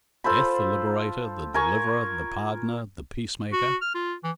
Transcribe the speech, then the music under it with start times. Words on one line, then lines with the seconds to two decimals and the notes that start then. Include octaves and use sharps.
Death the liberator, the deliverer, the pardoner, the peace-maker!
0.24 F4 A4 C5 B5
1.54 A#4 G#5 C#6
3.53 F#4
3.82 F6
3.95 F4
4.24 E3